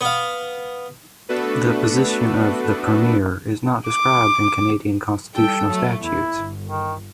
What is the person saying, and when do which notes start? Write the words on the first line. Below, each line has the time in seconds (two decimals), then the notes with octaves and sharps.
The position of the Premier is not described in Canadian constitutional statutes.
0.01 B3 F5
1.29 A3 B3 D4 F#4 A4 B4
3.88 D6
5.35 G3 A4 G5
5.68 F#3 A3
6.00 E2 E4
6.33 G1
6.65 D#3